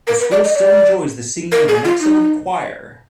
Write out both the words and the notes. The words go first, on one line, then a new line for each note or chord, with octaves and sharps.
The school still enjoys the singing of an excellent choir.
A#4
B4
D5
D#5
D5
A#4
G#4
F4
D#4